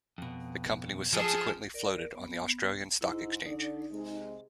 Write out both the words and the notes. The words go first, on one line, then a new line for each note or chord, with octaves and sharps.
The company was subsequently floated on the Australian Stock Exchange.
F2 B2
F3 G#4 A4 A5
A#4 D5
B3
G#2 E4
D3 D#4 D5
C3 G#3